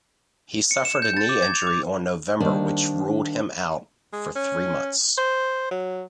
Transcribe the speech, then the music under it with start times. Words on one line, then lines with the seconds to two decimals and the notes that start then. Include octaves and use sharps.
He suffered a knee injury on November which ruled him out for three months.
0.71 C#7
0.85 E7
1.02 G6
1.17 A6
1.29 D6
1.43 G#6
1.55 F7
1.67 D6
2.40 D#3 G3 A#3 D4 C5 D5
4.13 G#3
4.36 C#4
5.18 C5
5.71 F#3